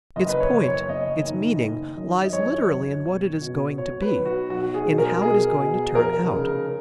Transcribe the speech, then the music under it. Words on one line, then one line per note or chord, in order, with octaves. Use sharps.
Its point, its meaning lies literally in what it is going to be, in how it is going to turn out.
F#1 D#5
B4
C#5
F#1
C#5
F#1 D#5
D#3
D#3
F#2
D#5
F#2 C#5
F#2
B2
B2
B2 C#5
B4
B1
F#4
B1 F#4
F#4
G#4
B2
A#4
B2 G#4
B2
F1 A#4
C#3